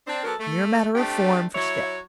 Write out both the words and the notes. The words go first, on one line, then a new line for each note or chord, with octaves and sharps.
A mere matter of form for to-day.
C4 D4
F#3 B3 A4 A#4
A3
A3 C4 D4 G4
F#3 E4 C#5